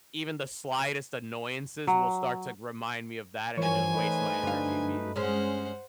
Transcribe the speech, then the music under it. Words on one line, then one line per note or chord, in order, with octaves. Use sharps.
even the slightest annoyances will start to g remind me of that, and it just wastes my energy immediately.
F#3
G2 E3 F3 A#4 C5 C#5 G#5
A3 D#4 B4
G2 D3 F5
G#3 C#4 C5 F#5